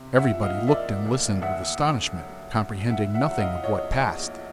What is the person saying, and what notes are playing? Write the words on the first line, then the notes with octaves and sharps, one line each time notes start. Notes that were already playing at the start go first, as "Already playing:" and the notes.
Everybody looked and listened with astonishment, comprehending nothing of what passed.
Already playing: C3
E5 F#5
F3
D#5 F5
A#3 D5 E5
D2
D#2 E5 F#5
D3
F#3
E1
A2 E5 F#5
E5 F#5
F#3 F#5
D#5 F5
A#1 C#5 D#5
A#1